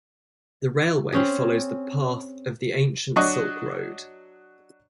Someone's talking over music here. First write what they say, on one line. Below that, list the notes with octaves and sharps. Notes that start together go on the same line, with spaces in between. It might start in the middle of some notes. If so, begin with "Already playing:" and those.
The railway follows the path of the ancient Silk Road.
C4 C#4 G#4
F#3 D4 F#4 D#5 C#6 F#6